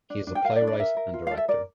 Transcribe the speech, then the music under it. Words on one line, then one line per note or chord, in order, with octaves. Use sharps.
He is a playwright and director.
D4
D4
G5
A#4 F5
D5
D4
D5
A#4 E5
A#4
F4
A4 F5
E5
A#4 D5